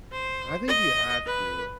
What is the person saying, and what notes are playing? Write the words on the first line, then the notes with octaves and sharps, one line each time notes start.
I think you have to,
C5
D#5
B4